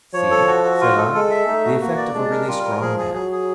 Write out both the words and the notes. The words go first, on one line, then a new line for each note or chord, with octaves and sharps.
'See!' said I, 'the effect of a really strong man.
F3 C#5
A4
F#4
F#4
F4
A4
G#3 A4
E5
A3 D#4
F#4
A#3 F#4
D5
G#3 D4
A#4
G3 F4
A#4
F3 G#4
G#4
F#3 G#4
G#4